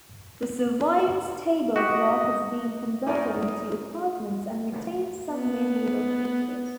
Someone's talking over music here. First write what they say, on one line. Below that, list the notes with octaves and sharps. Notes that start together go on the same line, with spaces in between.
The surviving stable block has been converted into apartments and retains some medieval features.
F#4 G4 D#5
F#2 D#4 E4 A#4 C#5 D5
B3